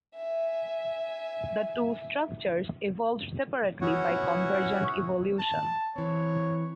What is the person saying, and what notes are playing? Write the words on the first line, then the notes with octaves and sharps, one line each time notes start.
The two structures evolved separately by convergent evolution.
E5 G#5
B3 C#4 E4 F#4 C#5 F#5
A5
E3 C4 C#5